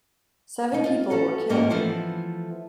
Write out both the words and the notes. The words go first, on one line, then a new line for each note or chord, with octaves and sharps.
Seven people were killed.
B2 G#3 D#4
F4 C5 D#5
C#4 F#4 A4
G#2 A#3 C#4 C5 D#5 G5
E3 F3 A3 B3 C5